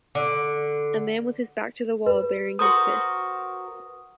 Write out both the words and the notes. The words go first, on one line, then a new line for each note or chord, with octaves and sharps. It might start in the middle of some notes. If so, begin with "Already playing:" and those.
A man with his back to the wall baring his fists.
D3
B4
F#4 A#4 C5 D#6